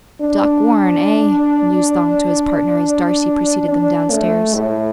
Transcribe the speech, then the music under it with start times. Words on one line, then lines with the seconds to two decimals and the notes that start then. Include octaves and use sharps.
"Doc Warren, eh," mused Thong to his partner, as Darcy preceded them downstairs.
0.21 D4
3.68 D4
4.11 A3
4.55 A2